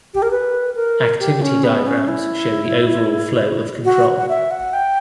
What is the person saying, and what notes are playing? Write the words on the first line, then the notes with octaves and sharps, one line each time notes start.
Activity diagrams show the overall flow of control.
G4
A#4
B4
A#4
G4
C#4
B3
C#4
E4
F#4
F#5
E5
F#5
G5